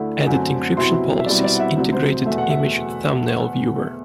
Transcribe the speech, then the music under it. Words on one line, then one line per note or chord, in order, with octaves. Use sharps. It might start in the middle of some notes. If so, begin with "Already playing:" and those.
Added encryption policies, integrated image thumbnail viewer.
Already playing: D2 D3 A3 E4
F#2 D3 A3 C4
C2 B2 F#3 C4 E4 C6
E5
B2 G3 C4 E4 D5
D5
F#5
E5
D2 C3 F#3
C5
E2 B2 A3 E5
F#5
E5